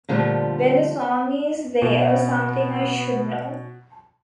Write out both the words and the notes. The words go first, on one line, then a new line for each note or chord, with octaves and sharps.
When the song Is There Something I Should Know?
A#2 D3 F3 G3 A3
B2 B3